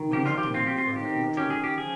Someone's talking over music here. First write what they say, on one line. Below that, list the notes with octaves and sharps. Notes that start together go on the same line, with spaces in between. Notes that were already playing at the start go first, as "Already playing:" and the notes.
When nothing can be further from the truth.
Already playing: D#3
F3 G4
F4
G4
C4 F4
G4
F4
D#3 G4
C#4 G4
G#4
G4
F3 G#4